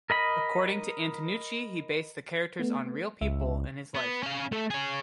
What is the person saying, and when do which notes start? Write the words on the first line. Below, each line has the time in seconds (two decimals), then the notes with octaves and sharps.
According to Antonucci, he based the characters on real people in his life.
0.10 A#4 D#5 B5
2.60 A3 B3
3.21 C#2 E5
3.95 B3
4.23 C#4 F5
4.52 A3 A4
4.71 G#4 C#5